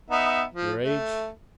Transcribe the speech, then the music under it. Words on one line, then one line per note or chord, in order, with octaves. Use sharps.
"Your age?"
B3 D#4 E5
F3
A3